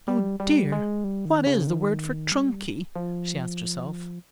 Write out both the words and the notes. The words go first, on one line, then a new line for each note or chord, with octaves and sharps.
"Oh dear! what is the word for trunk-key?" she asked herself.
G3
G3
G#3
G3
D#3
C#3
D#3
G3
F3